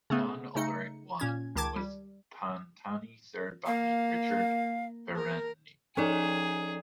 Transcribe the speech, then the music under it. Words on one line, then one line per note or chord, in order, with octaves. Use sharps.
Jan Ullrich won, with Pantani third behind Richard Virenque.
C#3 A3 B3
C#3 A3 D#4 C#7
A#2 C#4 G#6
C#2 D#3 A5 D6 G#6
G3
A#3 F5
A#4
F3 C#4 D#4 G#4 A4 D5